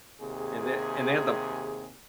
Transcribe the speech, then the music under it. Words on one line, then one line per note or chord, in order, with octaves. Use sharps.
and they and they had the
D#2 C3 G#4